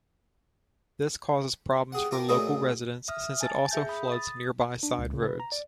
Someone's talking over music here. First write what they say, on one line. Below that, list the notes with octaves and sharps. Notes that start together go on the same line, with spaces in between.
This causes problems for local residents since it also floods nearby side roads.
G4 G#4 F#5
F4 G4 A#4
A#2 F#3 A3 D#4 G#4
E5 D#6 F6
G#5 A5 A6
G#4 E5 G6
B5 D#6
D#6 A6
D4
C#2
C#3
B4
A#5
D5